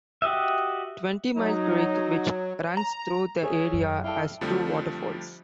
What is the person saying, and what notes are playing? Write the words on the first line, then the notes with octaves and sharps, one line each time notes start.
Twenty Mile Creek, which runs through the area, has two waterfalls.
F#4 G4 D#5 E5
F#3 D#4
A#5
G#4 C#5 E5 G#5
F#2
E4 A4 D5 F5 G5
F2 D3 F3 G3 A3